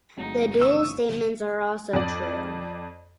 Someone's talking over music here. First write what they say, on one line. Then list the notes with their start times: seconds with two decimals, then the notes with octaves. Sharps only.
The dual statements are also true.
0.18 G1 F#3 G#3 A3 C4 D#4
0.61 C#3 E3 C#6 D#6 E6
1.93 F2 D5